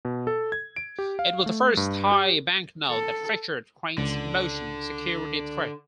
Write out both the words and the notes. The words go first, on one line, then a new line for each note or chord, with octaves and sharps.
It was the first Thai banknote that featured Crane's Motion security thread.
B2
A4
G#6
D7
G4
F5
A3
G2
G4
A4
C#2 D3